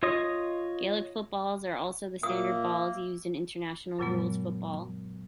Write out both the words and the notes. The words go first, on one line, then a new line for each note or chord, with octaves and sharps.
Gaelic footballs are also the standard balls used in international rules football.
F4 C#5 D#5 D#6
A#2 A#3 E5 D#6
F#2 A#2 C#3 F#3 G#3 B3